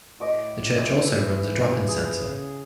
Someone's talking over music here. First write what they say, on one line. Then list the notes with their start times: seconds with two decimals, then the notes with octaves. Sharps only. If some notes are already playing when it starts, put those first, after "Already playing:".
The church also runs a drop-in centre.
0.20 A2 D#5 D6 D#6
0.78 E3 E6
1.59 G2
1.88 F3 G#4
2.19 C#3